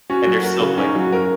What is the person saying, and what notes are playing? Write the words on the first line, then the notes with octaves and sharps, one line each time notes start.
and they're so quick,
C#4 F#4
F#3
A#4
C#3
C#4 D#4
F#3
F#4
A#4